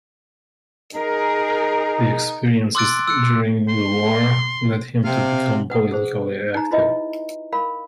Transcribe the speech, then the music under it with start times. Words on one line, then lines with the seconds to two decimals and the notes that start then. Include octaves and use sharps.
The experiences during the war led him to become politically active.
0.95 D#4 G#4 A#4
2.75 C6 D6 E6 F#6 A6 D7
3.07 E6 F#6 C#7
3.69 C6
5.05 C3 F5
5.70 B4 F#5 D#6
5.92 G#4 C5
6.55 D#4 A#5
6.71 E4 F4 B4 D#5 E5
7.53 A#4 F5 B5